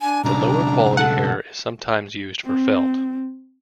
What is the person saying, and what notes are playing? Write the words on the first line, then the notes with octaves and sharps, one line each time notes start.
The lower quality hair is sometimes used for felt.
D4 G#5
B1 C#3 D4 A#5
A4 F#5
C4